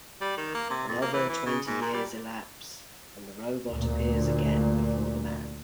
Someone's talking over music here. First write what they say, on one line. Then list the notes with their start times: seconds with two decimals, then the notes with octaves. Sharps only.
Another twenty years elapse, and the robot appears again before the man.
0.21 G3
0.37 D#3
0.55 A#3
0.70 C3
0.88 F2
1.02 A#3
1.13 E3
1.29 E3
1.46 C#3
1.67 G#2
1.81 A#2
1.94 G3
3.71 D2 A#2